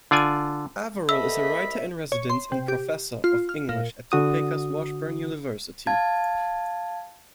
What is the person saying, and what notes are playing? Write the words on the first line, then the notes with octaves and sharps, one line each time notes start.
Averill is a writer-in-residence and professor of English at Topeka's Washburn University.
D3 F4 D5 G#5
C2 A#3 B3 A4 D#5 E5 B5 E6
C#5
C6
C3
G4
F4
F6
A#2
D3 F#4 D#6
F5 A5 G#6